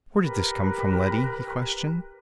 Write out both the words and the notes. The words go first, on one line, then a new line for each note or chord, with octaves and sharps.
"Where did this come from, Letty?" he questioned.
G4 A#4 B4